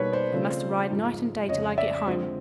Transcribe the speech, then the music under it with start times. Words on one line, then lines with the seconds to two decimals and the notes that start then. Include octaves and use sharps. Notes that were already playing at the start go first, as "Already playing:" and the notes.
I must ride night and day till I get home.
Already playing: B2 G3 A#3 D#4 B4 C#5
0.12 C5 D5
0.32 C#3 F3 A3 C4
0.91 G#2 F3 G#3
1.48 F2 C#3 F3 C#5 D#5
1.78 D5 E5
2.06 D3 F3 G#3 C4